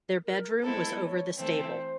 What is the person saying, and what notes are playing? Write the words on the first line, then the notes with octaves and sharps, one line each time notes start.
Their bedroom was over the stable.
A#4
G#3 B3 E4 A4 C5
C#5
E3 A3 C4 C5